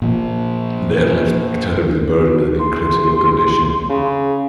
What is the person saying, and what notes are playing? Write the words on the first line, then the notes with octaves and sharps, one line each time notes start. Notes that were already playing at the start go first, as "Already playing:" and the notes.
They are left terribly burned and in critical condition.
A#2 F3
B1
E2 C6
C#3